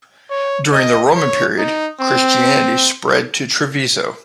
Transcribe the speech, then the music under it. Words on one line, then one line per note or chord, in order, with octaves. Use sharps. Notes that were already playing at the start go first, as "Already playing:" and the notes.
During the Roman Period, Christianity spread to Treviso.
C#5
D#5
C#5
D#4
C4